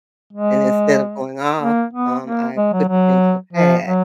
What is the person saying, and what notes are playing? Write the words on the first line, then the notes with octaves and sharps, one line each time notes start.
and instead of going off, um, I put the pen to the pad
G#3
A#3
B3
A#3
G#3
F#3
F#3
F3
F#3